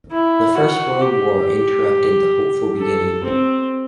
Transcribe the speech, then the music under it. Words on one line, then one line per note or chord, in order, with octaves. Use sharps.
The First World War interrupted the hopeful beginning.
E4
F#4
G4
A4
C4